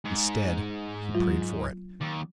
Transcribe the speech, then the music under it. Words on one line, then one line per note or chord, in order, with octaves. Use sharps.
Instead he prayed for it.
G#2
F#3 F4
D#2